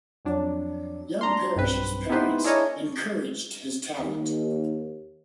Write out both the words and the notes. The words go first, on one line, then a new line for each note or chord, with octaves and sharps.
Young Parrish's parents encouraged his talent.
F2 F#3 D4
D4 A#5 C6
B1 G2 C4 B4
B3 D#4 E4 G4 B4 C5
D4 E4 G#4 A#4 C#5 D#5
D#2